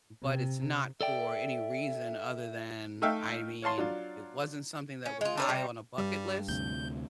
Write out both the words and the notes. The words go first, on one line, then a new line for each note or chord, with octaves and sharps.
but it's not for any reason other than I mean, it wasn't something that was high on a bucket list,
C3
A4 D5 E5 G5
A3 D#4 E5 F5 G5
C#5 F5 A5 C6
F#3 D4 F4
C#4
G#3 F4
D4 B4 C#5
C3 G3
G2 G3
D2 C3 G6